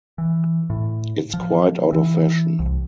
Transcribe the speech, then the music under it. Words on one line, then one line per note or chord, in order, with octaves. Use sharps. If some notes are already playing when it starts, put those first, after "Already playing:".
It's quite out of fashion.
E3
A2
F3
E3
C2